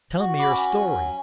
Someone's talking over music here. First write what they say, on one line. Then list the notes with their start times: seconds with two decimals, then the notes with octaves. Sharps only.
Tell me your story.
0.19 F#4
0.39 B5 D6
0.49 C#4
0.81 F#3